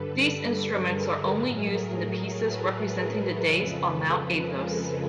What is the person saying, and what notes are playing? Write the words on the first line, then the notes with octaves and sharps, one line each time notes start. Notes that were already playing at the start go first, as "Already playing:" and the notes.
These instruments are only used in the pieces representing the days on Mount Athos.
Already playing: G2 D3 G3 A4 B4
G#4 A#4
A2 F#3 A3
G#4 A#4
A4 B4
F2 C#3 F3 G#3
G#4 A#4